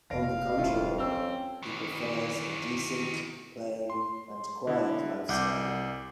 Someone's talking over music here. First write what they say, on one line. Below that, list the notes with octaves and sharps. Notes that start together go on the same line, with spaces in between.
On the contrary, he prefers a decent, plain and quiet lifestyle.
F1 C3 F5 A#6 D7
D#1 F2 D3 A3 E4 F4
C4 C#4 D#4 E6 F7
D#3 E3
C6
D3 E4
C2 F#5 D6 G6